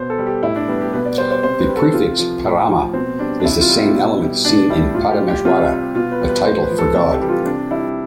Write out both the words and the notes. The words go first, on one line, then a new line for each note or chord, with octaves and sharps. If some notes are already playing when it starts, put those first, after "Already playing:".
The prefix "parama" is the same element seen in "Parameshwara", a title for God.
Already playing: B2 C5
A4
G3
G4
A2 E4
D4
G3 B3
G4
B2 B4
D5
G3 C5
C5
C3 C5
B4
G3
A4
C3 F4
F3
A2
F3
B2 C4
G3 D4
D4
C3 E4
F4
G3
E4
B2
G3
B2 D4
G3 E4
A2 F4
G4
G3
G4
C3 F4
G3
B2 F4
B4
G3
B4
A2 C5
B4
F3
A4
C3 A4
G4
E3 G3
F4
C3 D4
G3 E4